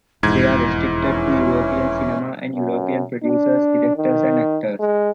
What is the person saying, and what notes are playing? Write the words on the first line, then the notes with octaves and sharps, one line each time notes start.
They are restricted to European cinema and European producers, directors, and actors.
E1 F2 G#2 E4 G#6
E3 C#4
F#2
D4
D#3
G#3